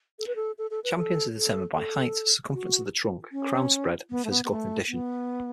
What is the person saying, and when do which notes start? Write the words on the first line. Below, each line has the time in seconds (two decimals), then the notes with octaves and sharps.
Champions are determined by height, circumference of the trunk, crown spread, and physical condition.
0.19 A4
0.27 B4
0.36 A4
0.58 A4
0.71 A4
0.84 B4
0.97 A4
1.37 A4
1.75 A4
2.49 G#4
2.54 F#4
3.32 C#4
4.11 B3
4.25 A3
4.30 B3
4.44 B3
4.50 A3
4.88 B3